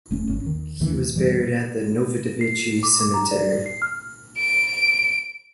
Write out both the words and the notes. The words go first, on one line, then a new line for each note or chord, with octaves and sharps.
He was buried at the Novodevichy Cemetery.
E1 A3 C#4
G1 D3 C#4
D#2 D#3
D#2 D#3 E3 A3
F#2 E3 G3
C7
D6
D6
A#5
D5
C7
F6
D7